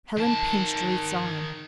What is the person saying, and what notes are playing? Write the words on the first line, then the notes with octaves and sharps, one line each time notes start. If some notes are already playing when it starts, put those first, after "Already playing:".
Helen pinched Ruth's arm.
D#3 A5